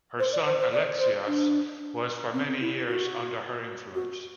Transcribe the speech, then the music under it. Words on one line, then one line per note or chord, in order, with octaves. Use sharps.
Her son Alexios was for many years under her influence.
C5
D5
C5
C5
D5
C5
D4
C4
E4
F#4
F#4